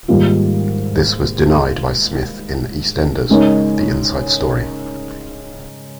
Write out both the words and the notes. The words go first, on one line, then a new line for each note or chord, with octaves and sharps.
This was denied by Smith in "EastEnders: The Inside Story".
G#2 D#3 G3 A#3 F4
C#3 G#3 D#4 A#4 C#5